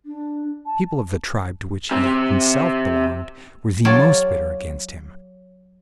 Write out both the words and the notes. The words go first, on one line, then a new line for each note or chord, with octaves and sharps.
The people of the tribe to which he himself belonged were the most bitter against him.
D4
A5
C3 C4
F#3 F4 G4 C#5 D5 A5